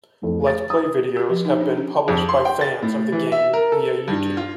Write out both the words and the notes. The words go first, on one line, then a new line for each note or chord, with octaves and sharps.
Let's Play videos have been published by fans of the game via Youtube.
F2 A2
A6
D#6
G4
F3
D#4
D4
C#4
F2
C6
G5
A6
A2
E3
E5
A#4
A4
G2
F4